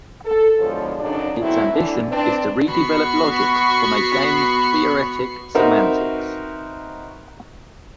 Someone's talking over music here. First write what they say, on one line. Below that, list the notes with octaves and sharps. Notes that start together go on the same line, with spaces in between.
Its ambition is to redevelop logic from a game-theoretic semantics.
A4
E2 B2 D3 F3 G#3 C#5
F#2 C#3 F#3 D4 D#4 D5
F#3 A3 B3 C4 E4
D3 E3
C4 D4 B4
B3 F#4 B5 C#6 C7
C4 D#4 F#4 A#4 B4 E5